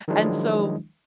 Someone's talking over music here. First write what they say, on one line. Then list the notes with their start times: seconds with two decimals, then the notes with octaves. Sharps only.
and so,
0.08 D#3 F3 F#3 G#3 D4 E4